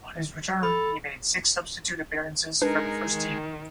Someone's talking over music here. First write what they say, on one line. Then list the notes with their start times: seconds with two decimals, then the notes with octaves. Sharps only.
On his return, he made six substitute appearances for the first team.
0.63 A4 B5
2.62 G#3 D4 D#4 A#4 B4
3.06 D#3